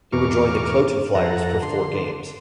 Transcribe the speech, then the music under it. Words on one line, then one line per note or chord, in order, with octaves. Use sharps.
He would join the Kloten Flyers for four games.
E2 B2 A#4 C#6 D6 F6
F2 A4 F#5 A#5
D3 C6